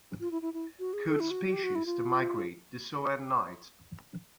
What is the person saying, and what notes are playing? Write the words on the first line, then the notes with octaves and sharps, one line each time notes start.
Coot species that migrate do so at night.
F4
E4
E4
E4
F#4
G#4
A4
E4
F#4
F#4
G4
F#4
E4
F4